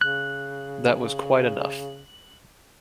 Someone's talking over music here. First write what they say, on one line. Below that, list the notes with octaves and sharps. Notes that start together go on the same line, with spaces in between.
That was quite enough.
C#3 F#6